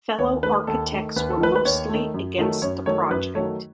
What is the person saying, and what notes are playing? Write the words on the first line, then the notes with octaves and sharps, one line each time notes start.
Fellow architects were mostly against the project.
D#2 C#5
D#3 A3 B4
D#2 A4
D#3 A3
D#2 B4
A4
D#3 A3 B4
B4
D#2 C#5
D#3 A3
F#2
D#3 F#3 A3
F#2 C#5
D#3 F#3 A3 C#5
F#2 B4
D#3 F#3 A3 C#5